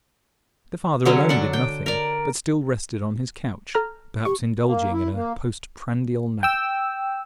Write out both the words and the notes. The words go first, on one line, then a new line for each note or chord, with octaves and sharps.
The father alone did nothing, but still rested on his couch, perhaps indulging in a postprandial nap.
D3 F#3 C#4
D4 F#5
G5
A#4 D5
A4 A#5 F6
G4 C#6
A#3
E4
A#3
G5 E6